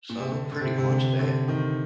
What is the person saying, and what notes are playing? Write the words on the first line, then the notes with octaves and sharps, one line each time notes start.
So, pretty much of that.
A#2
C3
D3
D3
C3
C3
D3
D3
D#3